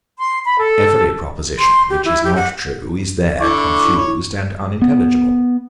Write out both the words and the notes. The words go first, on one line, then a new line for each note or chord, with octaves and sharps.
Every proposition, which is not true, is there confused and unintelligible.
C6
B5
A4
C6
G4
E4
G4
F#5
D3 E4 C#6 D6
C#5
B3